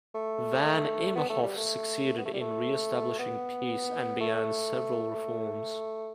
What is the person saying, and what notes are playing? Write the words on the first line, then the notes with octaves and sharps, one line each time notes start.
Van Imhoff succeeded in reestablishing peace and began several reforms.
A3
B3
A3
G3
A3
B3
A3
G3
A3
B3
A3